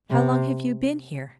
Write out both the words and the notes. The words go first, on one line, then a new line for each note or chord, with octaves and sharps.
"How long have you been here?"
C3